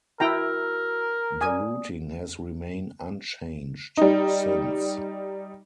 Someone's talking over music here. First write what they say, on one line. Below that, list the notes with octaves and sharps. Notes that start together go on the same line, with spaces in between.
The routing has remain unchanged since.
E4 F#4 A#4 G5 A#5 E6
D5 G#5 D#6
G3 D#4